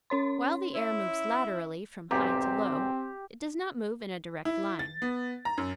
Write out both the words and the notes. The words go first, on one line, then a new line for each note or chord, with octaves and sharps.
While the air moves laterally from high to low, it does not move in a direct line.
C#4 C#5 C6
E4
B1 E2 G#2 C4 G4
E4
A6
B3
A#5
F#2